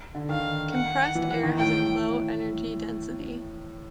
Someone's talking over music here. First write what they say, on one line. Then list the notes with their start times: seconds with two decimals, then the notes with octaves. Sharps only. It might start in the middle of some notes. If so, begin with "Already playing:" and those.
Compressed air has a low energy density.
0.15 D3
0.29 D#3 F5
0.72 F#5
1.15 E3
1.29 E3
1.43 D#3
1.57 A2 G5